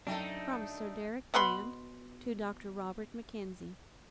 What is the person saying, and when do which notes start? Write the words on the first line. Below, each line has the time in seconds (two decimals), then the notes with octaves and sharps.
From Sir Deryck Brand to Dr. Robert Mackenzie.
0.07 F#2 A3 D4 D#4 A4 G5
1.34 B2 F#5 B5 C6